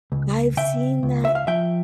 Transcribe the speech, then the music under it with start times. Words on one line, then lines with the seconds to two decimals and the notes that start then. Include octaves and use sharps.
I've seen that.
0.12 C#2
0.57 C#3 E5 G5
1.03 C#2
1.25 E5
1.35 F5
1.47 F3 E5 G5